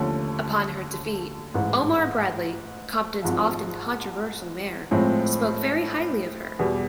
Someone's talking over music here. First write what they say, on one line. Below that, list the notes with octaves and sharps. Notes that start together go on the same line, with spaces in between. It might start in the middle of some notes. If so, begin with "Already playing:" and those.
Upon her defeat, Omar Bradley, Compton's often controversial mayor, spoke very highly of her.
Already playing: D#2 D3 F3 A3 C#4
A1 G#2 E3
G#1 G#2 F3
A2 F3 G#3 C4
E2 B2 G3